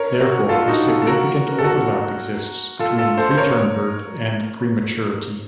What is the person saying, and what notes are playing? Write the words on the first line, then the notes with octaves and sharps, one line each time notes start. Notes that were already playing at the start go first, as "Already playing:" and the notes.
Therefore, a significant overlap exists between preterm birth and prematurity.
Already playing: A#4 C#5
F#4 A#4
F4 A4
D#4 F#4
F4 A4
A4
F#4 A#4
A4
F#4 A#4
F4 A4
F4 A4
A4 C5
C5
A#4 C#5